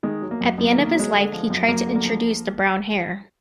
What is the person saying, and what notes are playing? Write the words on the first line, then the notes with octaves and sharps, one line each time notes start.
At the end of his life he tried to introduce the brown hare.
D#3 G#3
F#3
A#3
F#2
F#2 B3
A#3
D#3
A#3
F#3 G#3
D3
F3
F#2
F#2 A#3
D3
A#3
F3